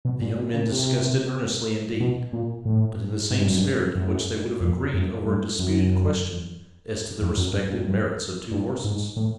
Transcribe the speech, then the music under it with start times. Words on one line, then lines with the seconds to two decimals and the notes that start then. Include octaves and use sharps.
The young men discussed it earnestly, indeed, but in the same spirit in which they would have agreed over a disputed question as to the respective merits of two horses.
0.05 B2
0.21 A#2
0.38 B2
0.54 C#3
0.70 C3
2.00 B2
2.33 A#2
2.65 A2
3.31 G#2
3.39 G2
3.48 F#2
3.57 G2
3.95 F#2
4.61 F2
4.94 F#2
5.26 G2
5.59 F#2
7.22 F2
7.37 F#2
7.53 G2
7.70 G2
7.79 F#2
7.86 G2
8.51 G2
8.84 G#2
9.16 A2